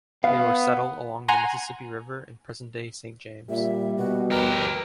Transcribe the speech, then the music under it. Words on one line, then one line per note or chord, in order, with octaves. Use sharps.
They were settled along the Mississippi River in present-day Saint James.
B3 F5
F#5 G#5 A#5 C6
A#2 G3 E5
B2 F#4
G4 A#4 B4